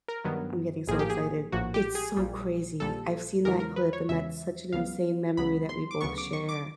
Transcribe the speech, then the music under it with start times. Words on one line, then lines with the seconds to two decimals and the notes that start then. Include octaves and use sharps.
I'm getting so excited. It's so crazy. I've seen that clip and that's such an insane memory that we both share.
0.08 A#4
0.24 G2 D#3 F#3 B3
0.87 A#1 A2 F3 A#3 G#4
0.99 G4
1.10 G#4
1.52 A#1 A2 F3 A#3 F#4
1.74 G4
1.95 G#4
2.16 A#1 A#2 G3
2.80 A#1 A#2 G3 A4
3.45 E2 C#3 E3 G#3 A#4
3.60 A#4
3.76 B4
3.93 C#5
4.09 E2 C#3 E3 G#3 E5
4.73 C#2 C#3 F#3 B3 F5
5.37 C#2 C#3 F#3 B3 B5
5.69 C6
5.91 D6
6.01 D2 C#3 F#3 B3 C#6
6.18 D6
6.33 C#6
6.49 D6